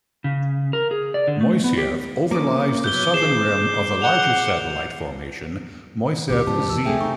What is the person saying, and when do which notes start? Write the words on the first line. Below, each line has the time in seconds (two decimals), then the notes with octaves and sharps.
Moiseev overlies the southern rim of the larger satellite formation Moiseev Z.
0.24 C#3
0.73 A#4
0.91 G#4
1.14 D5
1.27 D3
1.41 A3
1.64 B3
1.77 G4
2.31 A#3 C#4 D6
2.84 F#3 B3 F#6 G6 G7
3.14 G#4 C7 E7
4.02 F#5 F7 G7
6.29 A1 D2 B2 G4
6.47 G#2 C#3 F3 A5
6.70 E2 B2 D#3 E6
6.85 C3 G#3 A3 G#4 E5 G5 G#5
7.01 D#4 C#6